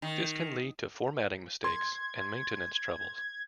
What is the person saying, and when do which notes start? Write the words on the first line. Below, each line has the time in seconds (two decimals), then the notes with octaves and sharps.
This can lead to formatting mistakes and maintenance troubles.
0.02 D#3
1.64 C6 G#6